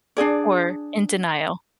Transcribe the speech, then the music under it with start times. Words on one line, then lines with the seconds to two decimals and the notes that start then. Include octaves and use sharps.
or in denial?
0.17 D4 D#4 G#4 D5